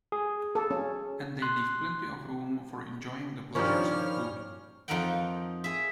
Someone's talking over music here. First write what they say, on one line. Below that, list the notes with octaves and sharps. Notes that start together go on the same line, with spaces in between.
And they leave plenty of room for enjoying the pleasures of food.
G#4
A4
C#4
C6 F#6
G2 D#3 F3 G3 C#4 D4 C#5 F6
F2 F3 D#4 A#4 F#5 G5
G#4 E5